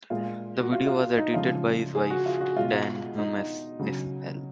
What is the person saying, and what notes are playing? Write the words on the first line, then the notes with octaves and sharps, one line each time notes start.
The video was edited by his wife, Dyan Humes-Nispel.
A#2 G#3 F4
F#4
F4
F4
F4
D#4
C#3 F3 G#3 F4
G#4
F#4
F4
F#4
B2 G#3 F4
D#4
C#3 F#3